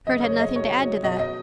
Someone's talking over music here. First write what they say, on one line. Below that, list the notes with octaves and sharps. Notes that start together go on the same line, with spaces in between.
Kurt had nothing to add to that.
F#1 D#5
C#5
F#1
D#5
F#3 C#5
F#3 C#5
B2 D#5
D#5